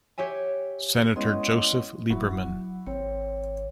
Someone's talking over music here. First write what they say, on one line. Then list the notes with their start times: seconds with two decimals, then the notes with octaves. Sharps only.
Senator Joseph Lieberman.
0.18 G4 C#5 E5 G#5
1.16 G#3 B3 C#4 E4 D#5 C6
2.10 D1 F#3 E4 F#4
2.87 G#1 C4 C#5